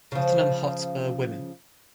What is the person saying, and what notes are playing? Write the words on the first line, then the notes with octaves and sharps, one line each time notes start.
Tottenham Hotspur Women.
C#3 F3